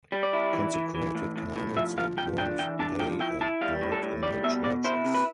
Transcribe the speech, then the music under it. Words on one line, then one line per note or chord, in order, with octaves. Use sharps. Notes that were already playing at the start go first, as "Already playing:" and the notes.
Consecrated candles had burned day and night in the churches.
G3
D5
E4
E3
E3
E3
A2
A2
A2
F3 E5
F3 F5
F3 G5
D4 G5
E3 G5
D4 A5
F3 G5
E4 G5
E4 A5
G3 F5
A2
A4
A2
G3 D5
B2 E5
B2 D5
E4 C5
C3
B4